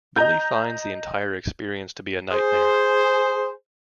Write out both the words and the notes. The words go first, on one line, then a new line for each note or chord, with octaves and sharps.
Billy finds the entire experience to be a nightmare.
D#5 A#5 G6
G#4 C5